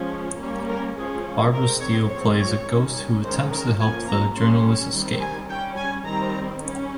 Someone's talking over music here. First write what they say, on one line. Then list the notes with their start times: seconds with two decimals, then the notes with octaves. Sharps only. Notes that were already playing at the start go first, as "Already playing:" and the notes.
Barbara Steele plays a ghost who attempts to help the journalist escape.
Already playing: F3 G#3 C#4
0.39 G3 A#3 C#4
0.68 A#4
0.97 F3 G#3 C#4 G#4
1.53 D#3 G#3 C4 A#4
1.81 C#5
2.09 F3 G#3 C4 C#5
2.38 C#5
2.66 D#3 G3 C#4
3.22 D#3 G#3 C#4 C5
3.51 A#4
3.80 F3 A#3 C#4 G#5
4.07 A#5
4.35 G3 C#4 C6
4.93 D#3 G3 C4
5.20 G#5
5.49 G3 C#4 G5
5.77 G#5
6.05 D#3 G3 C4 A#5
6.62 G3 C#4